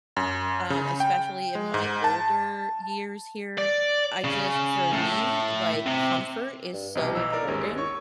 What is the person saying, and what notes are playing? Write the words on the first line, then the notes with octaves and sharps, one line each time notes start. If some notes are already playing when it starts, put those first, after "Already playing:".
um, especially in my older years here. I just for me, like, comfort is so important
F#2
C#3
G5
G#3
G#2
A5
D5
C#3
A2
C3
G2
C2 B2 D#4 G4
B1 E3 E6
A#4 D5 A#5
G#1 D#2 G#3 C#4
C#5 C#6